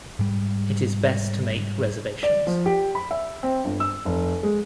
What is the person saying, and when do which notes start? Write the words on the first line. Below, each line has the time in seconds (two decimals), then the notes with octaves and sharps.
It is best to make reservations.
0.19 G#2 G3
2.23 D5
2.47 F3
2.66 G4
2.95 B5
3.11 E5
3.43 C4
3.64 G1
3.80 E6
4.05 F1
4.43 G#3